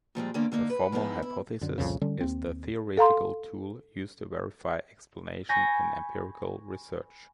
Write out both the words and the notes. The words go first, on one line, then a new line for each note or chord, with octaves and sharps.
The formal hypothesis is the theoretical tool used to verify explanation in empirical research.
A#2 F3 G3 G#3
E2 D3 A#3 C#4 D5
D3 A#3 D#4 D5
B4
F3 G#3 B3 D#4 E4
E4
F#2 D3
C2 F2 A#2 C#3
D3 G3 C#4
D#2 C4
A4 F5 A#5 C6
G#5 B5 C#6 G6 A#6